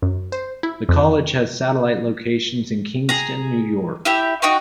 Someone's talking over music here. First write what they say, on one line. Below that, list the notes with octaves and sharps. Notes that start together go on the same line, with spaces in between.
The college has satellite locations in Kingston, New York.
F#2
C5
E4
F2
G#4 A#5
E4 G4 E5
D#4 F#4 G5 C#6